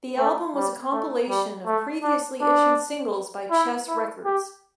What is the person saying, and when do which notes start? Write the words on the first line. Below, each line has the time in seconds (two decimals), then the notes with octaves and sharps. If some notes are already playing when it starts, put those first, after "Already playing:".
The album was a compilation of previously issued singles by Chess Records.
0.18 A3
0.55 G3
0.93 A3
1.29 G3
1.66 A3
2.03 D4
2.41 D4
3.51 E4
3.88 E4
4.25 G4